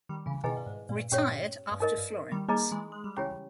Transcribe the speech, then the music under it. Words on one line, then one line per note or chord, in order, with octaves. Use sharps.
Retired after Florence.
D#3 G3
C#3 E3
B2 D#3 E4 G#4 B4 D#5 G#5
G2
G#2
G2 A#2
G2 A#2 C#4 G4 C#5
G2
G#2 D#4 A#4 D#5
G2
D#3 G3
G3 A#3 D#4 G#4 D#5 A#5
E3 G#3
G#3
G3
C#3 E3 C#4 E4 G4 C#5